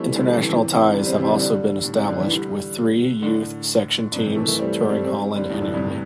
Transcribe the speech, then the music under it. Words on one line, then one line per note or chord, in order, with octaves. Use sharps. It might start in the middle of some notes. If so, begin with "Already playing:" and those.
International ties have also been established, with three youth section teams touring Holland annually.
Already playing: E3 G3 A3 C4
D3 G3
C3 E3
C3 E3
C3 E3
D3 G3
G3 C4
C3 E3
D3 G3
D3 G3
A2
C3
D3
E3
D3 G3
A2 D3
G2 C3
C3 E3
E3 A3
E3 A3
G3 C4
G3 C4
G3 C4
D3 G3
E2 A2
A2 D3
G2 C3
A2